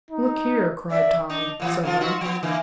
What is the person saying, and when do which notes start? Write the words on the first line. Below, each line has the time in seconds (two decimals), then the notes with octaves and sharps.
"Look here!" cried Tom, suddenly.
0.11 D#4
0.91 D5 E5
1.29 D4 D#4
1.60 A#2 E3 G3
1.83 C#3 F3 F4
2.00 D#4 F4 F#4
2.21 F3 B3
2.43 D3 E3 A#3